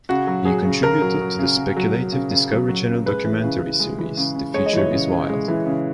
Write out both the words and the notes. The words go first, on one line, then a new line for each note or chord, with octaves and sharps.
He contributed to the speculative Discovery Channel documentary series "The Future Is Wild".
C#3 F#4
F#3
F#3 G#4
C#3
C#3 A#4
F#3
F#3
C#3
C#3
F#3
F#3
C#3
C#3
F#3
F#3
C#3
G#3 B4
E3
C#3
C#3
G#3
E3
C#3
C#3
G#3 C#5
D#5
E3 C#5
C#3
C#3
G#3
E3
C#3